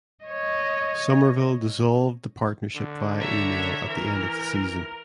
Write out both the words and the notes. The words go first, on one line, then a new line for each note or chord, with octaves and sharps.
Somerville dissolved the partnership via email at the end of the season.
C#5 D#5
D3
C#5 E5 A#5
E3 A#4